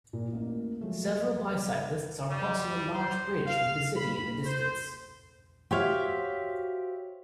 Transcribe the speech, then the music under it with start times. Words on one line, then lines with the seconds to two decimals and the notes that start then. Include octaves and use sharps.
Several bicyclists are crossing a large bridge with the city in the distance.
0.13 A#2
0.33 A1 A#3
0.81 F3 F#3 G#3 A3
2.30 G3
2.92 C5
3.46 F5
3.97 B5
4.45 C5
5.71 F#4 G4 C5 C#5 E5 F5